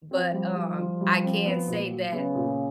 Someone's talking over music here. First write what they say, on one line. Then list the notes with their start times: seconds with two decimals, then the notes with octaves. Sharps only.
but, um, I can say that,
0.11 F3 C4
0.33 G3
0.56 G3
0.79 F4
1.01 G3
1.24 C4
1.46 B3
1.68 A#2
1.90 F#3
2.12 C#3 B3
2.35 A#2